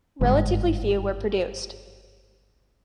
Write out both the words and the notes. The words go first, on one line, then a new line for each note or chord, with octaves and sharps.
Relatively few were produced.
G1 G#2